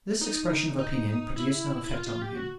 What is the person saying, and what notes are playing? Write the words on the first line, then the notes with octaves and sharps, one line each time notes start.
This expression of opinion produced no effect on him.
D#4
D#4
E4
E4
F4
F4
G4
F#4